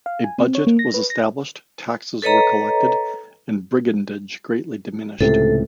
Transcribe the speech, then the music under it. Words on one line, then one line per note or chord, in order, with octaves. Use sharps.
A budget was established, taxes were collected, and brigandage greatly diminished.
F5
G#5
C4
C#5
A#3
A#6
B4
A#6
A4 B4 C#5 D#5 A#5
C#2 A2 C3 A4